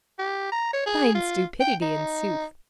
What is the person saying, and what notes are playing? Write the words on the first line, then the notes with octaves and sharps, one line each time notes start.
Fine stupidity, in sooth!
G4
A#5
C#5
G#4
F4
G5
D#4